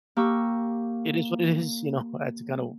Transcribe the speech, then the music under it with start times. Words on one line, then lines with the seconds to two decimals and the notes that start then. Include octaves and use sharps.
It is what it is, you know, I had to kind of,
0.17 A#3 G4 C#6 E6